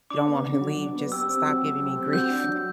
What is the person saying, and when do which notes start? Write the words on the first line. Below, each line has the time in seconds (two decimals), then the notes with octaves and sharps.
"If you don't want me to leave, just stop giving me grief
0.10 D4 D6
0.28 B3
0.44 D3
0.61 F#3
0.78 D4
0.95 B3
1.12 G4 E6
1.28 C4
1.46 F#3
1.63 A3
1.79 G4
1.96 C4
2.13 F#4 G6
2.30 D4
2.47 F#3